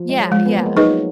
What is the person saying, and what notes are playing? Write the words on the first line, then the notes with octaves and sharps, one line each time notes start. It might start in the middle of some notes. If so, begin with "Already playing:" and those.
Yeah, yeah.
Already playing: F3
G#3
F#3
F3 G#3
B3
A#3
G#3
F#3 D#4 G#4 B4 D#5